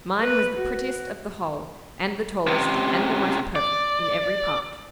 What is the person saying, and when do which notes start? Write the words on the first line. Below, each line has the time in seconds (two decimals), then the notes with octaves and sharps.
Mine was the prettiest of the whole, and the tallest, and the most perfect in every part.
0.22 B4
0.57 F#4
2.47 C#2 C3
3.56 D5